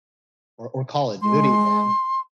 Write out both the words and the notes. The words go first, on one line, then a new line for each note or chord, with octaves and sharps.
or or Call of Duty, man.
G#3 C6